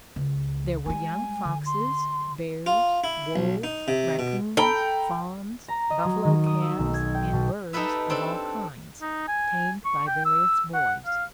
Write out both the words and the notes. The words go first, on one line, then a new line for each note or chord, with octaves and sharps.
There were young foxes, bears, wolves, raccoons, fawns, buffalo calves and birds of all kinds, tamed by various boys.
C#2
G3 G#3 G#5
D3
C6
F4
E4
B1
D#4
C3
B2
A4 G5 A#5 B5
A#5
D#5
F#3
D#3
D#6
E6
B1
G#6
G5
B2
D#4 G4 A4 B4 E5
C4 D4 A4
D#4
G#5
C#6
G5
E6
F#5
F5